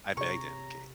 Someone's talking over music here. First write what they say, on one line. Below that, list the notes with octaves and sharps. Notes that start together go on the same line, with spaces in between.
I begged him. "Ca
C3 G#4 C#5 A#5 C#6